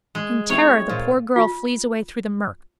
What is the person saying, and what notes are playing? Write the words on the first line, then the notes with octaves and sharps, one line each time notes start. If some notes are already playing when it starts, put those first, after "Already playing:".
In terror the poor girl flees away through the murk.
G#3
C4 E4 G4 C#5
A#2 C5
F4